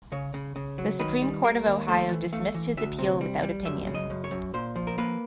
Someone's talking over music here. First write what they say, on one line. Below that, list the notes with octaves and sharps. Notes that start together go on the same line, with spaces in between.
The Supreme Court of Ohio dismissed his appeal without opinion.
C#3 C#5
C#3
C#3
F#3
D#3 B4
G3
A#3 A#4
D#2
A3 C5
E3
A3 F5
E3
D2 E5
C3
G3
G3
F#2 E5
C#3
D#5
F#2
C#5
F#2
A#2 C5
F3
A#4
A#3 B4